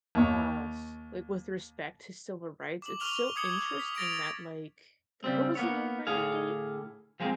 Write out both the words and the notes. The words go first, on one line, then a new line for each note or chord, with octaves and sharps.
uh, c like, with respect to civil rights, it's so interesting that, like, like what was the moon landing date?
D#2 C#5
D6 F#7
C#6 F6 F7 G7
D6 D#6 G#6 C#7 F#7
B6
A6 A#6 D7 F7
C#3 G3 C4
A#3 B3 C#5
A2 D3 G#4 F5
F3 G#3 A#3 C4